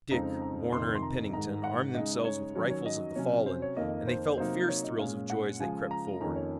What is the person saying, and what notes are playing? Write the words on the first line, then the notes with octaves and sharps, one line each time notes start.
Dick, Warner and Pennington armed themselves with rifles of the fallen, and they felt fierce thrills of joy as they crept forward.
F2 C#3 G#3 C4 D#4 A#5
A#5
F2 C3 D#3 C6
C6
A#5
G#2 D#3 G#3 D#4 A#5
F#5
C#3 G#3 D#4 D#5
D#5
C#5
D#3 F#3 C#4 C#5
C#5
D#5
C3 F#3 C#4 C#5
C5
C#5
F2 D#3 A#3 D#5
C5
C3 F#3 A#3 D#4 C5
C#5
D#5
A#2 G#3 C#4 F5
F#5
C#3 F3 G#3 G#5
A#5
F2 D#3 A#3 C#4 F4 A#5
C#5